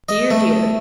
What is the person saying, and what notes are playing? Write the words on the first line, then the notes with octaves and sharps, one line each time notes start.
Dear, dear!
D#5
A3